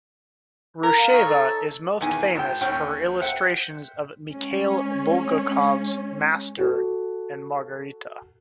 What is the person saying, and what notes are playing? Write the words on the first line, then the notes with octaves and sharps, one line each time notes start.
Rusheva is most famous for her illustrations of Mikhail Bulgakov's Master and Margarita.
A#4
F5
D#4 C#5
A4
E2 D#3 G#5
G#1 G5
D#2 C#4 G5 F6
C5 E5 F#5 G5
G#3 C#4
F#4 A4